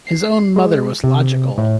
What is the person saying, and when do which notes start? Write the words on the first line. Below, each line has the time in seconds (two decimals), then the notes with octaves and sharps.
His own mother was logical.
0.07 C7
0.56 G#3
1.04 C3
1.58 A2